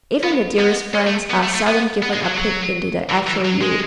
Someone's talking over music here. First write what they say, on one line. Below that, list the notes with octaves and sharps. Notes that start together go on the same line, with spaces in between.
Even your dearest friends are seldom given a peep into the actual You.
B3
B3
C#4
A3
B3
A3
A3
B3
B3
G#3
F#3
F#3
E3
E3
F#3
G#3